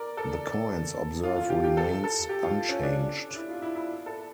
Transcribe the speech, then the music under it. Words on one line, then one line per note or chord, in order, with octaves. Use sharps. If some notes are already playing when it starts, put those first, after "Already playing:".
The coin's obverse remains unchanged.
Already playing: A#4 D5
A4
F4
F4
G4
G4
A4
A4
G4
F4
C#4
D4
E4
F4
E4
E4
A4